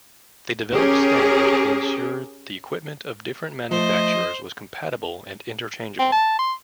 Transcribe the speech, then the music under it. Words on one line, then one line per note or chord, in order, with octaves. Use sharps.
They developed standards to ensure the equipment of different manufacturers was compatible and interchangeable.
C#4 G4 G#4 A#4
F3 A3 C5 D#5
C4
A5
C6